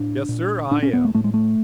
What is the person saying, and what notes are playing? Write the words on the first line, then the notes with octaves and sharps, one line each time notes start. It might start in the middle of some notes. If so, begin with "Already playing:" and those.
"Yes, sir, I am."
Already playing: A2 D4
A#2
A#2 D4
C#4
B3
A3
A2 A3
G#3
A3